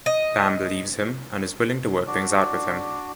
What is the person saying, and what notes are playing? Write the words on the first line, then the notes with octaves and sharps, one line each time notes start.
Pam believes him, and is willing to work things out with him.
D#5
D4 F#4 D5